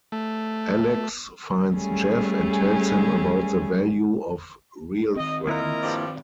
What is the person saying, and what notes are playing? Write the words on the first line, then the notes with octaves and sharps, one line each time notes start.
Alex finds Jeff and tells him about the value of real friends.
A3
G3 A3 C#4 G#4
D#3 C4 D#5
A#3 E4 F4 A#4 D#5 A#5
G2 F3 D5